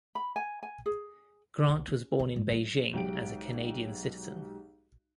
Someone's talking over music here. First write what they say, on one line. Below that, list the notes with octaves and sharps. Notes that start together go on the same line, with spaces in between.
Grant was born in Beijing as a Canadian citizen.
B5
G#5
G#5
G#4
C2
C#4
D2
G#2
F#3
B1 G#2 G4 D7